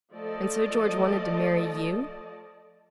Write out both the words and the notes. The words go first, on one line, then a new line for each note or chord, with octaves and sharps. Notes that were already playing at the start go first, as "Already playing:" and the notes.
And so George wanted to marry you!
F3 A3 A4 D5 D#5 A5